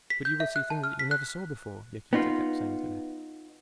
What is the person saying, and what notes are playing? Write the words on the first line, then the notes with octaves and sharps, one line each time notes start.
"But you will see things that you never saw before," Yaquita kept saying to her.
B6
G6
E5
F#6
A5
F6
B6
F#6
B3 D#4 F4